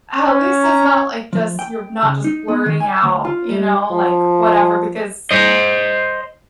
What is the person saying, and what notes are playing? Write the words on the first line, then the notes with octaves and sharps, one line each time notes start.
at least it's not like just you're not just blurting out, you know, like, whatever, because
C#4
A#5
F3
G5
C#3
D#4
B3
D#3
G#5
D2
F4
G3
F3
C5 D#5